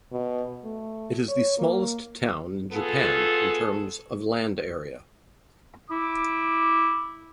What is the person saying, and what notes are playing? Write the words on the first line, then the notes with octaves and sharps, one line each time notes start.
It is the smallest town in Japan in terms of land area.
B2
A3
C#5
A#3
B3 F4 G#4 A4
E4 D6